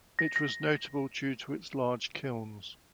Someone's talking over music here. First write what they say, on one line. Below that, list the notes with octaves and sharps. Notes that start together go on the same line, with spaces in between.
It was notable due to its large kilns.
A#6
A#6